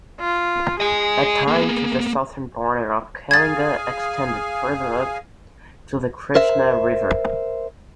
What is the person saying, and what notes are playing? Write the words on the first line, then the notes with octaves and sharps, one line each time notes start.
At times, the southern border of Kalinga extended further up to the Krishna river.
F4
G#4 D#5 G#5
A#3 B3
G#4 F5 G#5 G#6 A6
A#4 C5 E5